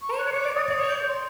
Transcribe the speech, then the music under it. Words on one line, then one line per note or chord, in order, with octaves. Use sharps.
He immediately quit the team.
C#6
F#6
D6
D#6
G6
C6